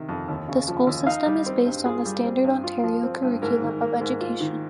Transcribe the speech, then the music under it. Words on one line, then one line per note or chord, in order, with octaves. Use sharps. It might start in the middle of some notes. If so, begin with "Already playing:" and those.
The school system is based on the standard Ontario curriculum of education.
Already playing: C3 D#3
F2
D#2
C#3
F3
D#2
D#4 F5
G3
C4
G2
F4 G#4
G3
C4
G2
F4
F3
C4
G2
G#2 A#4
D#3
A#3
G#2
F4
D#3